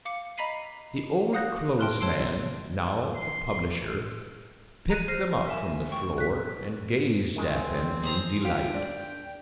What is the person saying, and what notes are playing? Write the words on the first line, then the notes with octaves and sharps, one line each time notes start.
The old-clothes man, now a publisher, picked them up from the floor and gazed at them in delight.
F5 D6 C#7
D#5 A#5 B5 B6 C7 D#7
F5 F#5 D#6 F#6 G6 A#6
E5 G5 A5 C6 F6 F#6
C#5 A5 C6 E6 C7 D7
C6
A#5 F#6 D#7
C5 F6 A#6 C7
A#4 E5 G#5 E7
G5 C#6
F#6 B6
D#3 G#3 C4
G#4 C5 A#5
F4 G4
D4 G5